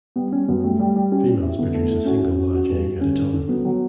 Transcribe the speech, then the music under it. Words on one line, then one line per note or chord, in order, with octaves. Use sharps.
Females produce a single large egg at a time.
G3 B3
G3 C#4
F#2 B3
G3 A3
G3
G3
C#4 G4
G4
E4
D3 B3
A3
E4
C#4 F#4
F#4
F#4
F#4
G2
G2
D3 C#4
D3
D3
F#3 B3
F#3